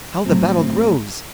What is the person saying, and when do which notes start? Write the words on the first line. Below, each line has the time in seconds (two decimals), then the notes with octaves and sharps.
How the battle grows!
0.25 A2 F#3 A3 C4
0.57 C4